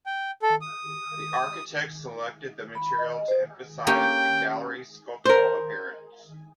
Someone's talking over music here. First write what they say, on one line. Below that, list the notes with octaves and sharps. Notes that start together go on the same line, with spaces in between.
The architects selected the material to emphasise the gallery's sculptural appearance.
G5
A4
D#6
B5
D#5
C5
A#3 C#4 G4 G5
A#4 C5